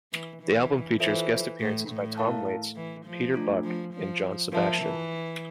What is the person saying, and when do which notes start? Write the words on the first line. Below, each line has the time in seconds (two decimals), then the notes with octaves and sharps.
The album features guest appearances by Tom Waits, Peter Buck and John Sebastian.
0.12 E3
0.42 E3
1.00 E3 F4 A4 C5 E5
1.59 A2
1.88 A2
2.18 E4 A#4 F5 A5
2.76 E3
3.05 F3
3.34 A3 D4 F4
3.64 F3
3.93 F3
4.52 F3 F4 A#4 E5 A5
4.82 E3